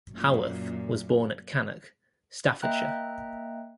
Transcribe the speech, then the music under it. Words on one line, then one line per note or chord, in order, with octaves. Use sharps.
Howarth was born at Cannock, Staffordshire.
F#2 A#2
A#3 D#5 E5 G5 A#5 F#6